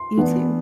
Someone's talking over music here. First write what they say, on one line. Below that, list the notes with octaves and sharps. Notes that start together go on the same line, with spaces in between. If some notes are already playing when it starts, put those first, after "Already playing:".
You, too.
Already playing: C6
E3 B3 D4